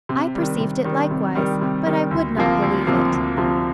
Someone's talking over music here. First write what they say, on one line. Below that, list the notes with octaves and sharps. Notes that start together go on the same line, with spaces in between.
I perceived it likewise, but I would not believe it.
C3
D#3 G3
C3
D#3 G3
C3
D#3 G3
C3
D#3 G3
D2
C3 F3 A#3
D2
C3 F3 A#3
D2
C3 F3 A#3